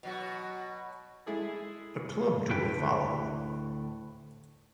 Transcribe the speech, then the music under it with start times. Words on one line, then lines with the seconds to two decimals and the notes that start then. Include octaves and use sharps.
A club tour followed.
0.03 B2 F#3 F#4
1.26 G#3 E4 G#4 A4
2.50 D2 A2 B4 G5